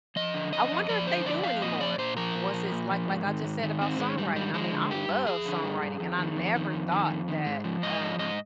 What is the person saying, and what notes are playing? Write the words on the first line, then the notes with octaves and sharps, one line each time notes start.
I wonder if they do anymore once it's like like I just said about songwriting, I mean, I love songwriting, and I never thought that, um,
F3 D#5
D3
F2 D#5
F2
F3 D5
D3 C5
F2 D5
F2 F5
A#2 D#5
F3 D5
A#2 C5
F3 A#4
A#2
F3
A#2
F3
G#2
D#3
G#2
D#3
G#2 C4
D#3 G#3
G#2 G3
D#3 G3
F3 G#3
D3
G2 G4
G2
F3 G#4
D3
G2
G2
F2
D#3
F2
D#3
F2
D#3
F2
D#3
G#2
F3
G#2 D#5
F3
G#2 D#5